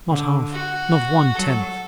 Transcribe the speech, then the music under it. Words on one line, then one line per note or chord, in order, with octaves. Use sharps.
Not half--not one-tenth.
D3
F#4
F#3 A4